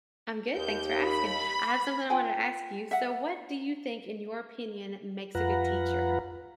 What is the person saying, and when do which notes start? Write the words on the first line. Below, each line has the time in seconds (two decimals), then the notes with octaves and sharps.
I'm good, thanks for asking; I have something I wanted to ask you, so, what do you think, in your opinion, makes a good teacher?
0.57 D#2 G6
1.04 B5
2.10 F4 G5 G#5
2.91 E5 F#5
5.35 F2 F4 B4 F#5 A#5